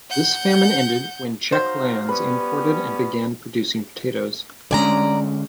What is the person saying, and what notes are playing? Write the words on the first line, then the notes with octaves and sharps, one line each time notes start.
This famine ended when Czech lands imported and began producing potatoes.
F#5 G6
F#3 D#4 C5 F5
G3 B3 C#4 B4
D3 G#3 C#4 D5 G#5 A#5